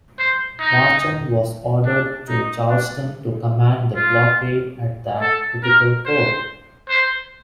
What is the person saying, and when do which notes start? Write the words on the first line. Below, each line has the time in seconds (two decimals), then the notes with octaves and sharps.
Marchand was ordered to Charleston to command the blockade at that critical port.
0.19 C5
0.60 D#4
1.86 D4
2.29 D#4
2.70 D4
3.96 F4
5.21 A4
5.63 A#4
6.06 C5
6.89 C5